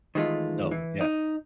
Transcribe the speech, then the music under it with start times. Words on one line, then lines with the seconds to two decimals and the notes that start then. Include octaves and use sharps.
No, yeah.
0.15 D#3 E3 G#3 A3 F4
0.71 E3
1.01 D#4